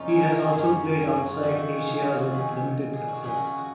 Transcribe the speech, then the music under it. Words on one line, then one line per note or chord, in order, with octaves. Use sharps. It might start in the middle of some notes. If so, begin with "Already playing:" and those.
He has also played outside Asia with limited success.
Already playing: F2 C#3 A#3 C#4 D#4 F4
G#4
A#4
G#4
F#2 G#4
C#3
G#4
F#4
F4
F2 D#3 F#4
F#4
G#4
G#4
F4
F#4
F2 D#3 G#4
G#4
G#4
F#4
F2 C#3 G#4
F#4
G#4
F#4